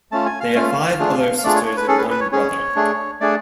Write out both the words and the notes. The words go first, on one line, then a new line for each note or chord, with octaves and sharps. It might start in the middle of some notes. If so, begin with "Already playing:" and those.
They have five other sisters and one brother.
A3 C#4 F4 A5
G#5
F5
A3 C#4 F4 F5
A3 D4 F4 G#4
F5
A3 D4 F4 G#4 D5
C#5
C#5
B4
C#4 G#4 A4
B4
B4
C#5
C#4 G#4 C#5
A3 D4 G#4
A3 D4 G#4 D5